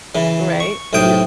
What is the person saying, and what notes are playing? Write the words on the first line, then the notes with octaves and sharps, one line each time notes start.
Right, y
C#3 E3
C#6
B1 A2 C3 G5 D#6